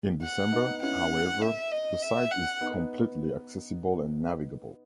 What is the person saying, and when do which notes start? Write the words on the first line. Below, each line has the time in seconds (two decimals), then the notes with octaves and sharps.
In December, however, the site is completely accessible and navigable.
0.22 F#5
0.52 B3 D#4
0.82 C#4 E4 F#5
1.42 E5
1.72 D#5
2.02 E5
2.31 F#5
2.61 B3 D#4